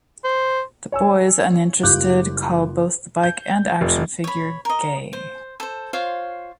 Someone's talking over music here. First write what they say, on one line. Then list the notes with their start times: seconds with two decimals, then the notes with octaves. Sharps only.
The boys, uninterested, call both the bike and action figure "gay".
0.24 C5
0.92 C#5 G#5 E6
1.83 F#1 G3 F4 D6 F#6 G6
3.23 G6
3.81 F1
4.24 C#5 B5
4.65 A#4 D#5
5.13 C5
5.60 A4 C5
5.93 F4 C5 C#5 F5